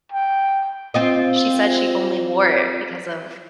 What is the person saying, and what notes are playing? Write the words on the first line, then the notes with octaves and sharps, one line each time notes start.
she said she only wore it because of, eh
G5
C4 F4 D#5